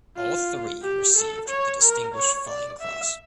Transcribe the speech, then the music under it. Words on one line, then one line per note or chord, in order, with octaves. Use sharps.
All three received the Distinguished Flying Cross.
F4
G4
A4
C#5
A#4
C#5
D5
E5